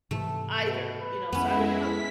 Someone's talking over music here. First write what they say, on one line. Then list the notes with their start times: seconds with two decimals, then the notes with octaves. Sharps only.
either, you know, so I would probably
0.11 G#2 C3 E3 A3
0.63 B2
1.00 B4
1.32 F2 G#3 B3 C#4 E4
1.72 A2 B6